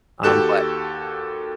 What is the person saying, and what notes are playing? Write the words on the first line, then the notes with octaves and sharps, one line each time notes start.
um, but
D#2 F#4 G4 A4 F#6 E7